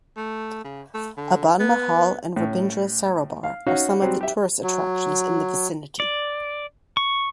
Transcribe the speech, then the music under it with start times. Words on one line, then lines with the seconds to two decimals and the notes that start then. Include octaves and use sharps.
Aban Mahal and Rabindra Sarobar are some of the tourist attractions in the vicinity.
0.17 A3
0.64 C#3
0.94 A3
1.17 D3
1.59 B3
2.36 A2 C#4
3.44 F5
3.67 C#4 D#4 F#4 F5
4.02 F#3 G3 C4
4.21 G4 E5
4.63 F#3
6.00 D5
6.97 C#6